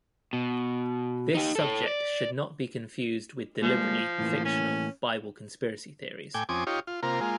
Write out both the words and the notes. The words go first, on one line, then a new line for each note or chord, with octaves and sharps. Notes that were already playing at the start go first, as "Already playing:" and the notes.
This subject should not be confused with deliberately "fictional" Bible conspiracy theories.
B2
D#4 G4
A4 C#5
D5
F3 G3 G#3 A#3
A2 E3 A#3
C#4
A2 G5 G#5 D6
F2 C4 C#4 G#5 D6 D#6
D#4 F4 G4 C#5
F4
C3 A#3 F4 A#4
G#3 A#3 F4